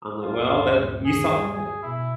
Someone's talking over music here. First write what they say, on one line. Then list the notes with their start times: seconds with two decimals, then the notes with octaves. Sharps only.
I'm like, “Well, that “you saw that?
0.23 D2 G2 A#2 F4
1.05 G#4
1.52 G#4
1.82 B2 E4